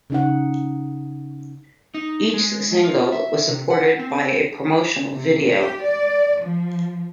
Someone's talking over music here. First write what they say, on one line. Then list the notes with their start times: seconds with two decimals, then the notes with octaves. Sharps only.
Each single was supported by a promotional video.
0.10 C#3 D#4 F#5
1.94 D#4
2.34 G#3
2.84 F4
3.12 E5
3.48 C3
3.70 F#5
3.99 C4
5.12 C3
5.49 G4
5.84 D5
6.40 F3